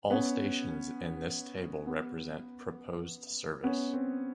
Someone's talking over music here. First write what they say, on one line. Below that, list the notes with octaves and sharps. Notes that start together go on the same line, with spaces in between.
All stations in this table represent proposed service.
B3 C#4
B3
B3 C#4
C4